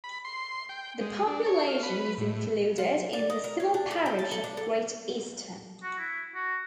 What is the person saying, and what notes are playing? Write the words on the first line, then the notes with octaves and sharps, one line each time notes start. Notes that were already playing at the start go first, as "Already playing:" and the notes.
The population is included in the civil parish of Great Easton.
B5
C6
G5
G#3
D4
C#5
F5
B4
A2
F4
D5
D#5
A#4
C#5
D4
A3
G4
A5
A4
D4
A4
F#4
E4
F#4